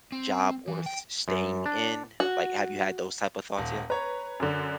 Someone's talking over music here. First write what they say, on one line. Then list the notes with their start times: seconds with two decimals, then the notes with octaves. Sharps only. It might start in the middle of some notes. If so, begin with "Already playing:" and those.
job worth staying in? Like, have you had those type of thoughts yet?
0.12 C4
0.68 E3
0.86 G5
1.28 F#2
1.66 D4
2.20 F#4
3.57 D#1
3.90 B4 C#5 A#5
4.40 F#2 D3